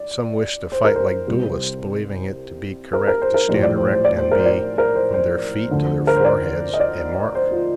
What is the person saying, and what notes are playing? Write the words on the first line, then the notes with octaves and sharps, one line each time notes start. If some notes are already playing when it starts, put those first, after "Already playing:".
Some wished to fight like duelists, believing it to be correct to stand erect and be, from their feet to their foreheads, a mark.
Already playing: D5
C5
A#4
C5
C2 C3 G3
A#4
A#4
C5
A#4
A#1 A2 G3 C5
D5
C5
C5
D5
C5
A#4
C5
D5
A#4
C5
C5
D2 D3 F3
A#4
C5
D5
D#5
D5
C5
F4